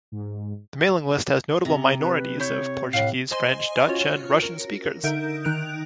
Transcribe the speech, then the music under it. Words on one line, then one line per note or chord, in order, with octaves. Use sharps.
The mailing list has notable minorities of Portuguese, French, Dutch, and Russian speakers.
G#2
C3 A#5
B4
E4 C#5 G6
A2 F5 F#6
C5 D#5 G#5 C6
C#4 F4 F#4 C#5
A#4
D3 D#4 A#4 E5 G6 D7
D#3 D#4 A#4 F#6 D7 F7